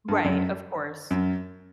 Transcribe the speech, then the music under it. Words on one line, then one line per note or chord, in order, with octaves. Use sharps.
Right, of course.
G2
F#2
F#2